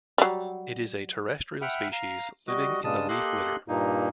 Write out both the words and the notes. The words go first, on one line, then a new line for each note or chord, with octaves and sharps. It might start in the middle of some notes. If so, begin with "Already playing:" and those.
It is a terrestrial species living in the leaf litter.
F#3 G3
E5 F#5 G5 B5 F6
F5 A#5
G3 F#4 D#5
G2 C#3 G3 G#3 A5 D#6
A#3 G4 A4 D#5 C6 F#6
G2 A#2 A#3 D#4